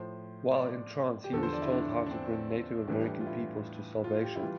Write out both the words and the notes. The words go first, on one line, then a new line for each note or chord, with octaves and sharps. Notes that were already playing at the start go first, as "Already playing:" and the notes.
While in trance he was told how to bring Native American peoples to salvation.
Already playing: A2 F3 C5
D5
G4
E2 D3 F3 A4
C5
D5
E4
D4
D4
C4
A2 E3 G3 D4
F4
E4
F4
G4
E4
E3 G3 F4